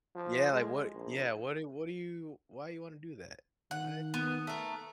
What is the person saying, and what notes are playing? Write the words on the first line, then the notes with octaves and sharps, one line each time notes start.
Yeah, like, what yeah, what do what do you why you wanna do that? I
F3
G#3
A#1
D#3 F#5
B3
A3 A#4